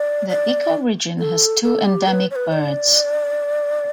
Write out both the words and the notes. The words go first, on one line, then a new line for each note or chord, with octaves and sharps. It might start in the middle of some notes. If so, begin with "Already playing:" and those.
The ecoregion has two endemic birds.
Already playing: D5
D5
A4
A4
G4
B4
C#5
B4
D5